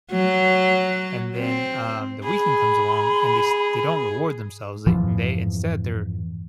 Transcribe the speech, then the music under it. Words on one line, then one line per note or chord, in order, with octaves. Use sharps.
and then, um, the weekend comes along and they st they don't reward themselves, they they instead their
F#3
C4
G#4 B5
F2 G#2 E3 F3